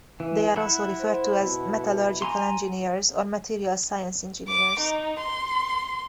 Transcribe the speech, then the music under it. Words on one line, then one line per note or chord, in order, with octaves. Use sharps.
They are also referred to as metallurgical engineers or material science engineers.
E3
E4 F#5
C5
B2
G#5 A#5 C6
D6
D#4
C6